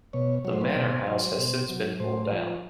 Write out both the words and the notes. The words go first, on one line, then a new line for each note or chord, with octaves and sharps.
The manor house has since been pulled down.
B2 C#5
F#3 C#5
C5
B4
C5
B2
F#3
B2
F#3
A2 C5
F3